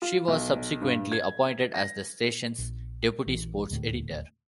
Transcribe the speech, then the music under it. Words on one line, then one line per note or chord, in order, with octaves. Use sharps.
She was subsequently appointed as the station's deputy sports editor.
F4
B1
G2
G#6
A#6
A#1
A#1 E3
D#1 D2 A2